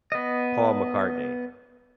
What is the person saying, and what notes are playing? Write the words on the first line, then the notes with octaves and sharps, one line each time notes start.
Paul McCartney.
B3 D#5